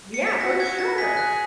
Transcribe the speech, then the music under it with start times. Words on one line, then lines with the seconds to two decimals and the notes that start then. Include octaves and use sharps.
We Yeah, for sure.
0.14 C#7
0.27 B6
0.41 F#4 A#6
0.60 G#6
0.69 F#4
0.79 A#6
0.98 G#4 B6
1.17 F#6